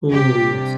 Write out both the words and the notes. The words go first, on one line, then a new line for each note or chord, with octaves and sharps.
Ooh, yes.
C3 G3 D4 G4